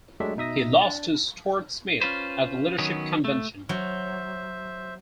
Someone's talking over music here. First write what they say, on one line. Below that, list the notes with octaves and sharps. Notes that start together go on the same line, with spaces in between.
He lost to Stuart Smith at the leadership convention.
F#3 G#3 A3 D4 G4 E5
B2 D#4 E5 D#6 A#6
D4 A6
C#4 F4 B4 C5
D#3 F#3 B3 C#4
A3
F#3 C5 E5